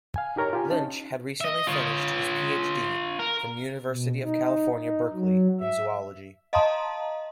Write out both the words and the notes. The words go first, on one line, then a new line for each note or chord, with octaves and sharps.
Lynch had recently finished his Ph.D. from University of California, Berkeley in Zoology.
F5 G#5
D#4 G4 A#4 C#5 A#5
F4 G4 G#5
C#4 D#4 A5
D#5 E5
F4 C#5
A#4
B2
D#4
D#4
F#3
E5
D#5 F5 A5 A#5 C6 D#6